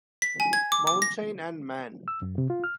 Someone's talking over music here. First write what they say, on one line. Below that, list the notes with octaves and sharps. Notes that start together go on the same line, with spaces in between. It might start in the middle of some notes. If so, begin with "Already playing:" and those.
Mountain and man.
B6
G#5
G#6
D6
D6
A#6
E6
F#2
C3
F4
F6